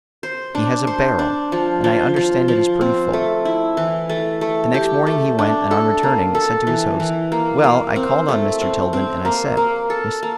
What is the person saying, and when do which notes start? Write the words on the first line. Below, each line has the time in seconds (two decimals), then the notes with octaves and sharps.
He has a 'barrel,' and I understand it is pretty full." The next morning he went, and on returning said to his host: "Well, I called on Mr. Tilden, and I said: 'Mr.
0.23 C5
0.55 D4
0.87 C5
1.19 D4
1.52 F3
1.84 F3
2.16 F3
2.48 F3
2.81 C4
3.13 A3
3.45 E4
3.77 E3
4.10 A3
4.41 A3
4.74 G4
5.06 A3
5.39 D4
5.71 A4
6.03 A#3
6.35 A4
6.67 E3
7.00 E3
7.32 A#3
7.64 A#3
7.96 C4
8.28 A3
8.61 C4
8.93 C4
9.25 A#3
9.57 A#3
9.90 A4
10.23 A#3